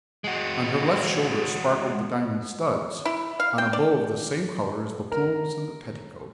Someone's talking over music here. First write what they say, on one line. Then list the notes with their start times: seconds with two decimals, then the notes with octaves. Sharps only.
On her left shoulder sparkled the diamond studs, on a bow of the same color as the plumes and the petticoat.
0.24 G#3 F#4
3.05 E4
3.40 F5
3.58 G5
3.73 D5
5.12 A#4